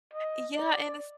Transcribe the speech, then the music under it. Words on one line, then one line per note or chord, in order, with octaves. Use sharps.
Yeah, and it's
D#5
D5